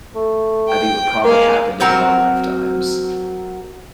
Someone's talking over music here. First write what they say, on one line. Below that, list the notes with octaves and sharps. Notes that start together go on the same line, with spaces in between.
I think it would probably happen in our lifetimes.
A3
G5
G#3 A#3 F5
F#3 C4 F#4 A#4